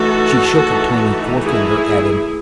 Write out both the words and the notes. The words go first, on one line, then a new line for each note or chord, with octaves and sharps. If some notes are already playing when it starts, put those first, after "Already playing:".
She shook a tiny forefinger at him.
Already playing: E3 A3 D#4 F#4 A4
E3 A3 D#4
E4 G#4